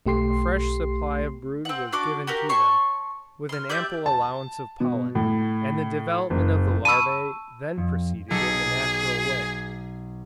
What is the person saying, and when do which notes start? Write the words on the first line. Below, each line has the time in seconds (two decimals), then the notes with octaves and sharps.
A fresh supply of brood was given to them, with an ample allowance of pollen, and the development of the larvae then proceeded in the natural way.
0.06 B1 A3 G4 C6 C7
1.65 C4 F#5
1.93 D4 F#4 D6
2.27 F#4 G4 A#4
2.49 C#5 A5 C6 C#6
3.49 C6 F6
3.69 G4 D5 E5 G6
4.06 A5
4.80 B2
5.15 A2
6.30 F#1
6.85 A5 B5 C#6 E6 D#7
7.78 F2
8.31 B1 G#4 A4 C#7